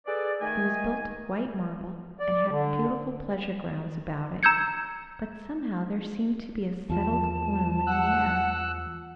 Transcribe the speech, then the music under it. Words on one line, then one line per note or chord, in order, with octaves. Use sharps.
It was built of white marble, and had beautiful pleasure-grounds about it, but somehow there seemed to be a settled gloom in the air.
G#4 A4 B4 D5
D#3 A3 D#5 G#5
D5
D3
A#5 E6 G6 G#6 C#7
E2 F3 A5
F#5 E6 F#6